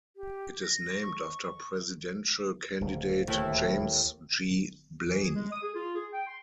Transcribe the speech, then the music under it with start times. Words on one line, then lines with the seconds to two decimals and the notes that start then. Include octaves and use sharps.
It is named after presidential candidate James G. Blaine.
0.16 G4
0.63 A#6
1.03 C#6
2.81 D1 C#3
3.28 D#2 A3 E4
5.08 E3
5.21 G#4
5.34 G#3
5.50 D#6
5.62 G#4
5.74 F4
5.95 G#4
6.12 G5
6.26 C6